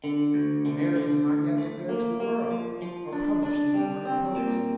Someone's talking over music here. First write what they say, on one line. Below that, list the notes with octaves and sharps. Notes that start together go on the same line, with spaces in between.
The marriage was not yet declared to the world, or published in the Morning Post.
D3
D2
D3
D3
D2
A3
A#3
A#3
F3
F3
D4
D4
G3
C4
A#2